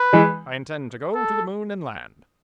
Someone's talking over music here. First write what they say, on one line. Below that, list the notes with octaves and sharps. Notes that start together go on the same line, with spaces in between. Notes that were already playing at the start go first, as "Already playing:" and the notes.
I intend to go to the moon and land.
Already playing: B4
E3 G#3
A4